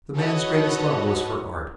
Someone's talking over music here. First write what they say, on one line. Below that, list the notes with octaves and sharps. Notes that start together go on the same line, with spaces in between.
The man's greatest love was for art.
F#4 A4 B4 C#5 D#5 F#5